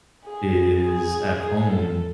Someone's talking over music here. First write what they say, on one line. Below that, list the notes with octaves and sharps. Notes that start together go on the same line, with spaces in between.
is at home,
G#4
G#4
G#4
A4